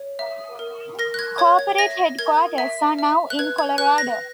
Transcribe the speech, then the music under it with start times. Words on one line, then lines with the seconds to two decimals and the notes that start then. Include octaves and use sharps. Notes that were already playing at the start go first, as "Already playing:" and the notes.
Corporate headquarters are now in Colorado.
Already playing: C#5
0.19 E5
0.59 A#4
0.99 A#4 A#6
1.14 F#6
1.19 G#6
1.38 C#5 G#6
1.59 G#6
1.78 E5 A#6
2.19 A#4 G#6
2.58 E5
2.99 E5
3.30 F#6
3.39 B4 G#6
3.58 G#6
3.78 B4 F#6
3.98 A#6